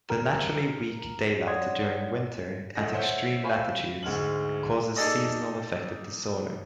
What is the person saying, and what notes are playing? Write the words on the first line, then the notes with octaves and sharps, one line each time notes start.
The naturally weak daylight during winter at extreme latitudes causes Seasonal affective disorder.
A#4
C#5 D5 F#5 C6 D#6 G#6
D#1 A3 D#5 F#5 A#6
C5 C#5 E5 F#5
C5 E5 F5 G#5 B5 C#6
D2 G#2 G#3 F6 F#7
A#3 D#4 G#4 A4 D5 D#5